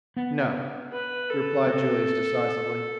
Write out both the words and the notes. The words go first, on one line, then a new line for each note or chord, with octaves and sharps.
"No," replied Julius decisively.
B3
B4
A4
C4